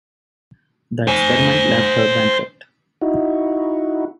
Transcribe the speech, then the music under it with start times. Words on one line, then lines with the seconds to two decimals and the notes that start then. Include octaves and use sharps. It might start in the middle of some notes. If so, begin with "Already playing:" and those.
The experiment left her bankrupt.
1.08 C5 G#5
3.01 D#4 E4 F#4